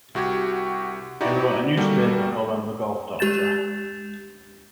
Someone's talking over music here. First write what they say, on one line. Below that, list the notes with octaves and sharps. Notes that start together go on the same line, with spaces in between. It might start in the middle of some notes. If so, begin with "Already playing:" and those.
He wrote a newspaper column, The Golf Doctor.
C2 F#4 G4 G#6
D#4 E4 F#4 G4 D5
G3 A3 A#3 F#4
G#3 G4 G6 A6 E7